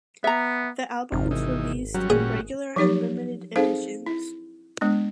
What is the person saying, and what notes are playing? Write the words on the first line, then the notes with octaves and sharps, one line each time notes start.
The album was released in regular and limited editions.
B3 E5 A#5
G#1 F2 C3
E3 D#4
F#3 G3 C#4 F#4
A#2 G#4
F3 F#3 D#4 G4 C#5
C4 D#4 G#4 A4 C5 F5
E4
G#3 B3 D4